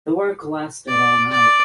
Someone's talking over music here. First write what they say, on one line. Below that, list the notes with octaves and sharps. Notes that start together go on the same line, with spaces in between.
The work lasted all night.
D5
D5